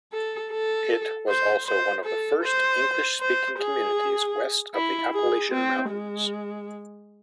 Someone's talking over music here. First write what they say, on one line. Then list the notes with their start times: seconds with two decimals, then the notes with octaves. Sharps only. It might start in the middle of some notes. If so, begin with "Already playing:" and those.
It was also one of the first English-speaking communities west of the Appalachian Mountains.
0.13 A4
0.52 A4
1.29 C5
1.67 C5
2.05 A4
2.44 C5
3.21 C5
3.59 G#4
4.75 E4
5.14 G#4
5.52 C4
5.90 G#3